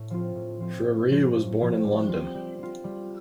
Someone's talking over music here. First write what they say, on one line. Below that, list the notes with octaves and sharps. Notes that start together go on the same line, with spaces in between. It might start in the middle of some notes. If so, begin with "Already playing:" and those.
Frere was born in London.
Already playing: A2
F3 C4 F4
A2
F3 C4 F4
A2
F3 C4 F4
A2
F3 C4 F4
G3
C4 F4
G3
C4 F4
G3